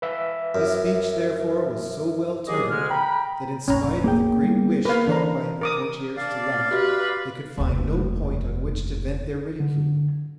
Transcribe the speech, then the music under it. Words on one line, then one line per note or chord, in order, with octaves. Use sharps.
His speech, therefore, was so well turned, that in spite of the great wish felt by the courtiers to laugh, they could find no point on which to vent their ridicule.
B4 E5 F5
F#2
D#2 F#3 G#4 D#5 D6
D2 D3 G#3 F6
G5 A#5 B5
F1 A#1 C#4 A#5
A#3 G#4 G5
G3 B3
A#3 A#4 B4 F5
E3 C#4 D4 C5 A#5
A#4 D6 D#6
D4 D5 F5
F#4 G4 B4
F1 D#2
D3